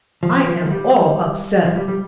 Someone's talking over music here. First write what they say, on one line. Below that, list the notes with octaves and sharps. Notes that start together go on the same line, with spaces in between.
I am all upset!
F3
F3
G#3
G3
F3
G3
G3